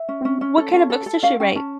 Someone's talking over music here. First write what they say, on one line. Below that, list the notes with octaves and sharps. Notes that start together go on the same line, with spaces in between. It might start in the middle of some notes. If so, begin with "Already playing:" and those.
Wh what kind of books does she write?
Already playing: E5
C#4
C#4
C#4
A4
C#4
A4
A4
C#4 F5
C#4 G5
C#4 A5